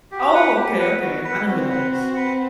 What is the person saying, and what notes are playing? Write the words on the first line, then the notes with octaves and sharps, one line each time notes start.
Oh, okay, okay, I know who that is.
F#4 G4
B4 F#5
B3 G4
B4 F#5
F#4
B4 F#5
C4 F#4
B4 F#5
F#4
B4 F#5